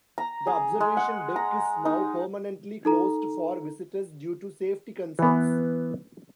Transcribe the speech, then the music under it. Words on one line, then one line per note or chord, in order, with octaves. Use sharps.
The observation deck is now permanently closed for visitors due to safety concerns.
A#5
G#4
G#3
F#5
A#5
D#4
D#4 A4 A#5
E3 B3